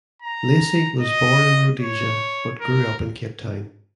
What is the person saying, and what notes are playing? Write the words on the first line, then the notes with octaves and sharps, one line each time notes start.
Lacey was born in Rhodesia but grew up in Cape Town.
A#5
D#5
C#5
A#4